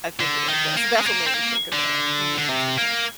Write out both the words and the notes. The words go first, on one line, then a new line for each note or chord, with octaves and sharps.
I did it like that. So that's what made me think of that when you mentioned that.
D3
D#3
A#3
G#3
A#3
C4
A#3
D3
D3
C3
A#3